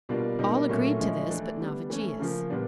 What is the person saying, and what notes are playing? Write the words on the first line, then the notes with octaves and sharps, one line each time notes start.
All agreed to this but Navigius.
B2 G3 A#3 D4 F4
B2 G3 A#3 D#4 G4
A#2 F#3 A3 C#4 E4
F3 G#3 C#4 E4
E3 A3 D4
D3 G3 B3 D4
E3 A3 C#4
C#3 F3 A#3
A#2 G3 B3 D4